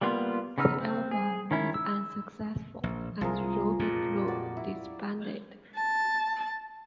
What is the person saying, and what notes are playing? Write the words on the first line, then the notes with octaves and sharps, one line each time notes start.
The album was unsuccessful, and Ruby Blue disbanded.
G3 A#3 B3 F4
C#3 B3 D#4 E6 F6
C4
G#4
D#3 C#4 E4
E6
A#1
C2 F3 G#4 A#4
F2 A#2
G3 F#4 D5
E4
A5